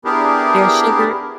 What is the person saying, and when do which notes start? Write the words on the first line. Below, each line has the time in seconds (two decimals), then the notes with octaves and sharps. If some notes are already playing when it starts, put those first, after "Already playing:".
there's sugar
0.05 B3 D4 E4 G4 G#4 A#4